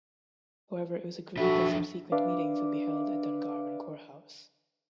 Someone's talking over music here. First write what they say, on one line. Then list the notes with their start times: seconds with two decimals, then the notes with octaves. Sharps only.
However it was agreed that subsequent meetings would be held at Dungarvan Courthouse.
1.37 F3 D4 F#4 A4 E5 B5
2.12 D4 B4 D5 E5 F5 D6